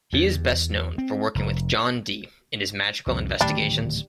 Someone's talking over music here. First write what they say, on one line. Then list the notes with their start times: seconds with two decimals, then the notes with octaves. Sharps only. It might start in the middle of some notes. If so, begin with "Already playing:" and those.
He is best known for working with John Dee in his magical investigations.
0.13 E2
0.98 C4
1.35 F1
3.06 C2 F2
3.41 D1 D#3 G3 A3 D4